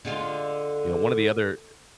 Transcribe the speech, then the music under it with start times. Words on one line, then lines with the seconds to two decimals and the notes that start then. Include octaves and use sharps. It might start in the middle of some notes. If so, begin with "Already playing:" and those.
you know, one of the other
0.05 D3 G#3 F4